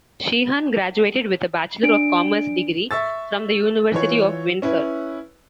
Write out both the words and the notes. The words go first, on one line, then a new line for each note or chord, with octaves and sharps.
Sheehan graduated with a Bachelor of Commerce degree from the University of Windsor.
D4 D7
E5 C#6 E6 A6
E3 F4 C#5
C#4 E4 B4